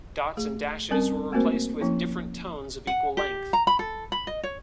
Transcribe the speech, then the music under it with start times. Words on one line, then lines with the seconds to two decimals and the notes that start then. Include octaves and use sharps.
Dots and dashes were replaced with different tones of equal length.
0.37 A3 G#4
0.91 G3 C4 C#4 A#4 A5
1.32 A3 A#3 C4 F#4 A#4 C5
1.81 F3 A#3 C#4 E4
2.87 F#5
3.17 G4
3.53 A#5
3.67 B5
3.79 A4
4.12 B5
4.27 D#5
4.43 C#5